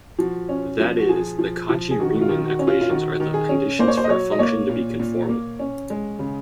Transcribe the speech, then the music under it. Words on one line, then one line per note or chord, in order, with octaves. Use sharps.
That is, the Cauchy-Riemann equations are the conditions for a function to be conformal.
F3 F#4
C#4
F3
F#4
F3 G#4
F3
F3
G#4
D#3 F#4
F#4
F4
D#3
F#4
C#4
F4
F4
D#3 F#4
D#3
G#4
C#4
A#3 C5
C#5
C5
D#5
F#3 C#5
D#5
A#3 C#5
A#2
A#2
A#3
C#4
G#3
C#3